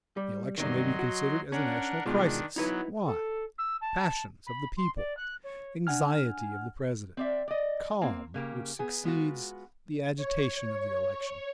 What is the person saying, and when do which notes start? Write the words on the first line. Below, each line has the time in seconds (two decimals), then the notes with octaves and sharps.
The Election may be considered as a national crisis--Why?--Passions of the people--Anxiety of the President--Calm which succeeds the agitation of the election.
0.17 G3
0.58 G2 C3 D#3 F#3 D#5 C6
0.99 F#4
1.52 C#4 D4 A#4 F#5
2.06 B2 D#3 G#3 D4 F4
2.56 F#3 B3 D#4 E4 B4
3.06 A4
3.58 E6
3.81 A5
4.47 B5
4.77 C6
4.97 D5
5.17 F#6
5.44 C#5
5.87 D4 F#5 G#5 F6
7.17 C4 D5 E5
7.48 D5 D#5
8.01 A#3 C4
8.34 C#3 A#3 G4
8.79 B3 G#4
9.04 G#3 B3 F4 F#4
10.17 C#5